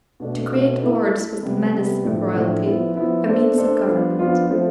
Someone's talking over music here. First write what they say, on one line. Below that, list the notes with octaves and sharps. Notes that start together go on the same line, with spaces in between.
To create Lords was the menace of royalty; a means of government.
B2 A3 D4
B2 A3 D4
A3 E4 A4
A3 E4 A4
C3 G3 B3
C3 G3 B3
A2 F3 A3 D4
A2 F3 A3 D4
F3 B3 E4
F3 B3 E4
A3 D4 A4 C5
A3 D4 A4 C5
F3 B3 D4 F4
F3 B3 D4 F4
F3 A3 C4